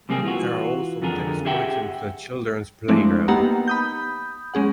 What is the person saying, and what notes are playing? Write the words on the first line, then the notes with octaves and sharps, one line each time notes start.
There are also tennis courts and a children's playground.
C3 G3 A#3 C4 G#4
E3 F4 F#4
F2 D3 F4 G#4 A#4
G4 G#4 E5 F#5 G5
F3 G#3 A3 C4 D4 E4
A#3 B3 D#4 G4 F#5 A#5
B5 D#6 G6
G#3 C#4 G#4 F#5